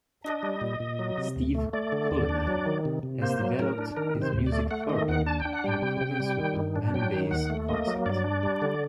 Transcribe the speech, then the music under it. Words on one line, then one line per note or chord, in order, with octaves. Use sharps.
Steve Coleman has developed his music further in accordance with the M-Base concept.
D4 D#5
G3
A#2
A#2
F#3
C3
D2
A3
A3 D5
D3
D#2
D4
F#3
D#3
C3
C3
A#3 C5
F#3
A2 A#4
D4
D#3 A#4
C3
C5
D2
D5
A3
A3 F#5
D#3 D#5
D#2 F#5
D4 A5
G5
D4
F#5
G3 G5
C3
C3
G3
D#3
G2
D4
F#3 G5
D#3
D#2 F#5
A3
A#3 D#5
F#3
G2 D5
D4
G3
D3